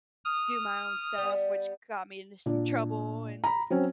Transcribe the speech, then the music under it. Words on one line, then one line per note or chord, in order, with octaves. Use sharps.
do my own stuff, which got me into some trouble, and,
D#6 F6
G3 B3
A#2 D4
A#5 B5
F#3 C4 C#4